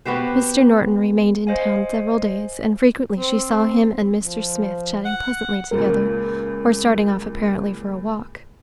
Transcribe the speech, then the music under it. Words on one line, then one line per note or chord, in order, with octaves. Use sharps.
Mr. Norton remained in town several days, and frequently she saw him and Mr. Smith chatting pleasantly together, or starting off apparently for a walk.
B3 F#4 G4 C5
C5 D#5 F5 G#5
C4
F3
F#5
C#2 A#2 A#4